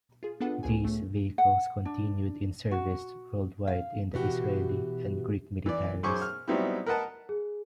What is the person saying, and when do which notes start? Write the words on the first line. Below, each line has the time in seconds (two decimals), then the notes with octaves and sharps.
These vehicles continued in service worldwide in the Israeli and Greek militaries.
0.23 F4 G#4
0.40 B3 D4 F4 A4 B4 F#5
0.63 C#2 G#4 G#5
0.84 A2 A3
1.38 F#5
1.85 D4
2.71 F#4
3.67 F5
4.14 B2 E3 F#4 G4
5.66 E3 D5
6.03 F#2 G#4 C5 C#6 D6
6.22 F6
6.48 F#3 G3 B3 C4 D#4 E4
6.86 A#4 B4 D#5 F#5 A5
7.29 G#4